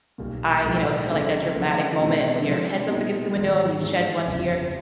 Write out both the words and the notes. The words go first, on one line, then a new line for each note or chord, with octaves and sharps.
I you know, it was kinda like that dramatic moment when your head's up against the window and you shed one tear,
B1 A#2 G3
B1 A2 F3 G#3
C#3 F#3 A3 C4 D#4
C#3 F3 A#3
B2 G#3 C4
C3 F3 G#3 C4
A#2 G3 B3 D#4
G#1 G#2 D#3 G#3
G2 E3 G#3
F#1 E2 C3 F3